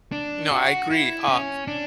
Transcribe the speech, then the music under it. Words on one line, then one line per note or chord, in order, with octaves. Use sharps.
No, I agree, uh,
D4
F#4
E4
C#4
D4